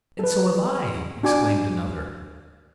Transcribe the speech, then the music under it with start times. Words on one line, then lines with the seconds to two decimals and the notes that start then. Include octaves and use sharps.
"And so have I," exclaimed another.
0.19 A4 B4
1.23 D4 F#4 G#5 D6